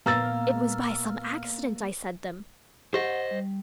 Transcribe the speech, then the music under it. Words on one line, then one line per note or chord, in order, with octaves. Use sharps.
It was by some accident I said them....
A#2 A#3 B3 A#5 E6 F6 A6
G4 C5 D#5 F#5
G3